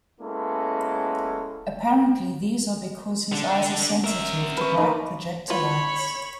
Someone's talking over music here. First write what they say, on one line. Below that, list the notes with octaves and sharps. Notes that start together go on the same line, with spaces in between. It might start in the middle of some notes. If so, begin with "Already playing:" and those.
Apparently these are because his eyes are sensitive to bright projector lights.
G#3 A#3 B3 C#4 E4 A4
D3 D4
A#4 E5
B4 C#6
A#3 D#4
E4 F4 B4 C#5 B5